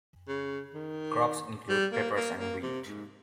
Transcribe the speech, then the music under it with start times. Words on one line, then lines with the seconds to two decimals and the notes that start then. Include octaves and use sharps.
Crops include peppers and wheat.
0.28 C#3
0.74 D#3
1.69 G3
1.93 A#3
2.16 A#3
2.40 A#3
2.63 C3
2.87 G#2